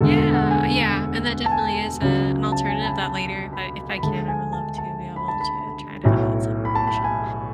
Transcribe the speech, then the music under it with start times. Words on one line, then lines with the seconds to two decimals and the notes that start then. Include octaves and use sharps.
Yeah, yeah. And that definitely is a an alternative that later if I if I can, I would love to be able to try and have that separation.
0.01 E1 D2 D3 G#3 A4
0.17 A4
0.34 F#5
0.51 G#5
1.46 A5
1.52 G#5
2.02 C#2 C#3 F#3
2.52 A5
2.69 G#5
2.82 B5
2.86 A5
3.03 A5
3.53 B5
3.98 B5
4.03 D2 D3 G#3 A5
4.28 G#5
4.53 A5
4.78 A5
5.16 B5
5.28 A5
5.40 B5
6.04 B1 A2 F#3
6.65 B5
6.75 A5
6.87 B5
7.04 G#5